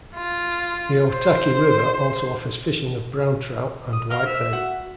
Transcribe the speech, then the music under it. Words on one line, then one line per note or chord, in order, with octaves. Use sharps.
The Otaki River also offers fishing of brown trout and white bait.
F4
C5
D#6
A#4 F5 C6 F6
C5 E5
F#4 F#5